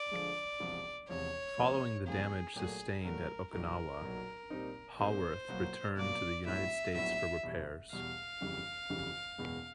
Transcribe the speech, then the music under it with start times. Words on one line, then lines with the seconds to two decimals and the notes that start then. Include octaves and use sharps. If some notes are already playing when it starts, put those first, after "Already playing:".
Following the damage sustained at Okinawa, "Howorth" returned to the United States for repairs.
Already playing: D5
0.11 D3 F3 G#3
0.60 E1 E2 C3 F3
1.09 E1 E2 C3 F3 C#5
1.58 C#2 C3 F3 A#3
2.06 C#2 C3 F3 A#3 G#4
2.55 A#2 F#3 A3 G#4
3.04 A#2 F#3 A3 A#4
3.53 B1 A#2 F#3 A#4
4.01 B1 A#2 F#3
4.50 A#2 G3 C4 D#4
4.99 A#2 G3 C4 D#4 C5
5.48 B2 F#3 A#3
5.97 B2 F#3 A#3 D5
6.45 A#1 A2 F#3 B3 E4 E5
6.95 A#1 A2 F#3 B3 E4 E5
7.43 E2 B2 G3
7.92 E2 B2 G3 F5
8.41 G1 F2 C#3 E3 G3
8.89 G1 F2 C#3 E3 G3
9.38 F#1 E2 B2 G#3 B3